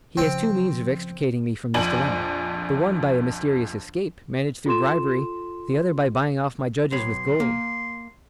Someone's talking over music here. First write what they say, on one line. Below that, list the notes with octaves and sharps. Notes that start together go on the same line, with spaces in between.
He has two means of extricating me from this dilemma,--the one by a mysterious escape, managed through bribery; the other by buying off my judges with gold.
C#3 F3 C4
A#1 F2 D5 G#5 F#7
F4 A4 C6 E7
B1 C#5 B5 C6
A#3